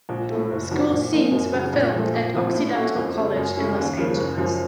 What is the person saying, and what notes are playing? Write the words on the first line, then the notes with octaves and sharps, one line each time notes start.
School scenes were filmed at Occidental College in Los Angeles.
A#1
A2 A3
F#1
F2 D#3 F#3
A#1
A#2 F3 A#3 D#4
F#2
C#3 F#3
A#1
A#2 F3 A3
A#1
A2 F3 C4
A2
A3 C#4 F#4
F2
C#3 A3
F#2
C#3 A3 C#4
D#2
C#3 F3 A#3
F#1
F#2 F3